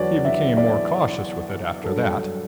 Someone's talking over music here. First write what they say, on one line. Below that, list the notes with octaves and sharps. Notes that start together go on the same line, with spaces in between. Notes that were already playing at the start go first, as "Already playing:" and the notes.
He became more cautious with it after that.
Already playing: E2 D3 F#3 B4 C#5 D5
E5
D5
G2 F#3 A4